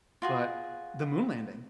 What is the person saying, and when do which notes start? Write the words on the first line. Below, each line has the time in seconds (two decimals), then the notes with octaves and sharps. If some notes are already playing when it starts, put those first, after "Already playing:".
but the moon landing.
0.22 F4 F#4 G#4